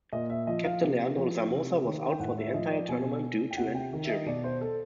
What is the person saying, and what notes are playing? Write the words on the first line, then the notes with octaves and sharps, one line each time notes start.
Captain Leandro Somoza was out for the entire tournament due to an injury.
A#2 D#5
E5
F3 D#5
F5
C3
F3
C3
D#3
G5
A2 F#5
E5
F3 D#5
D5
B2 G#5
G5
C3 F#5
G5
D#3
E5
D#5
B2 D5
C5
A4